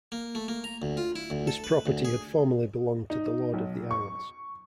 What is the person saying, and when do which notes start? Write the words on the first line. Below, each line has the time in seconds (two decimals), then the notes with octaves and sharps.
This property had formerly belonged to the Lord of the Isles.
0.12 A#3
0.35 A3
0.48 A#3
0.64 A#5
0.82 D2
0.97 F4
1.16 E4
1.30 D2
1.47 A4
1.64 B4
1.86 D2
2.05 G#4
3.10 D#4
3.54 B1
3.91 C#6